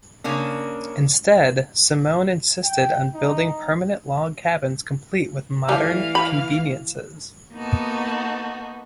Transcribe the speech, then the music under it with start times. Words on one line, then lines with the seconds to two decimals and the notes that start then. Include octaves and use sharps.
Instead, Semon insisted on building permanent log cabins complete with modern conveniences.
0.24 C#3 A#3 C#4 D4
2.64 G5
3.14 D#4
5.68 E3 G3 A3 F5
6.15 B5
7.54 A#3 B3 D#4 F#4 A4